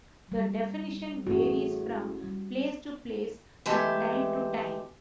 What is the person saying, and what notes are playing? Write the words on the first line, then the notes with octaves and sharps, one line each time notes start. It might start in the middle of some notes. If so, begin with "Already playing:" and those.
The definition varies from place to place and time to time.
G3
A1 A3 F#4 G#4
G3
E3 G#3 A3 G4